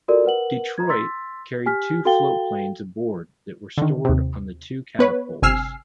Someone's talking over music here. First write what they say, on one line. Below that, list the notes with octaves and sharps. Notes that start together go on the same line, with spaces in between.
"Detroit" carried two floatplanes aboard that were stored on the two catapults.
F4 F#4 A4 A#4 D5
A#4 B4 F#5 F#7
A#5 G#6
C6 E6 A6 B6
G4 G#5 F6 B6
F#4 A4 F5 G5 A6 G7
D3 D#3
D#2 C3
B3 B4 C#5
G1 C3 G#5 E6 F6 C7